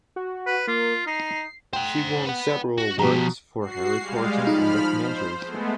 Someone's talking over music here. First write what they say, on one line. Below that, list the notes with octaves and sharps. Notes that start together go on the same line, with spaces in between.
She won several awards for her reporting and documentaries.
F#4
B4
A#3 F4
D#4 C7
C5 F#5 G5
B4 F#5
F#4
B2 F3 F#4 G4 A#5
F#4 C7
G3 G#3 F5
F3 D#4 D#5 B5 F6
C5
G#3 A3 B3